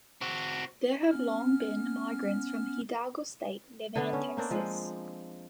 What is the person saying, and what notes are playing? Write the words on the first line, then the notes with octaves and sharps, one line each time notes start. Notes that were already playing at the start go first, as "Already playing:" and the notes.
There have long been migrants from Hidalgo state living in Texas.
C4 F#4
B3 C#4 F6
D3 B3 D4
C#4
A#3 C4 D4
F3 G#3